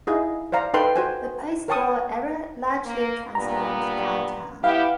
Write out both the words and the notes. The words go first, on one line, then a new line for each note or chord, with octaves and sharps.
The post-war era largely transformed downtown.
D#4 E4 G#4 D#5 F5
C5 D5 F5 A#5
D#4 A4 B4 G5 A5 C6
F#4 C5 G#5
A#4 C#5 G5 A5 C#6 D#6
A#3
G2 A#2 B3 A#5
B3 E4 G4 F5